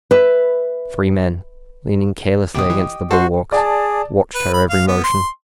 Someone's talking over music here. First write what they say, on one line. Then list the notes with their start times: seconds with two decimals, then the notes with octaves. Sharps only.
Three men, leaning carelessly against the bulwarks, watched her every motion.
0.11 B4 E5
2.55 D2 B2 G4 D#5
2.70 E3
3.11 F#4 A4 C5 C6
3.52 G#4 D5 A5
4.35 B4
4.53 B5
4.69 F5
4.88 B3
5.04 C6